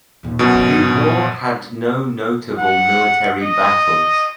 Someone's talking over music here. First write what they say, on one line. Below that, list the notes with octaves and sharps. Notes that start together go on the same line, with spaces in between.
The war had no notable military battles.
D#2 A#2
F#2 B2 E4
G2 D#3
A#2
F#5
D#5